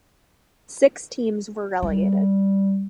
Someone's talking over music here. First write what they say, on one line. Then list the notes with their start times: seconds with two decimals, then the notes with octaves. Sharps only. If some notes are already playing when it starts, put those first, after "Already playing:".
Six teams were relegated.
1.83 G3